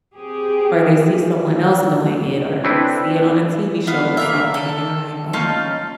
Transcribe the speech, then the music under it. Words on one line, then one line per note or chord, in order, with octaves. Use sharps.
or they see someone else doing it, or see it on a TV show or something, and they're like, "Oh."
C4 G4 G#4
C4 D4 E4 A4 B4
B3 F5
A#3 A#4 E5
A4
C#4 D#4 F4 A5